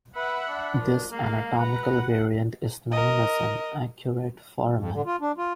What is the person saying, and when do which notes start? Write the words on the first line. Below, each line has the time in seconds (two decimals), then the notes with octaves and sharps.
This anatomical variant is known as an arcuate foramen.
0.16 B4 E5 F#5 B5
0.48 D4
0.78 F3 A#4
1.11 G#3 A#3 F5
1.58 B4 F#5 A#5
1.94 F#5
2.92 A#4 D#5
4.78 F2
4.94 D3
5.06 F4
5.21 D4
5.38 F4